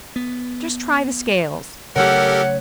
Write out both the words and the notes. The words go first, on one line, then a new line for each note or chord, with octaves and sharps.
Just try the scales.
B3
C#3 F#3 A3 G4 A4 A#4 C#5 F#5